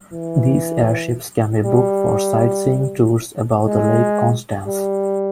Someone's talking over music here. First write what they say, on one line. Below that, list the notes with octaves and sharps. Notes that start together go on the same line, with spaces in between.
These airships can be booked for sightseeing tours above the Lake Constance.
E3
G3
G#3
G3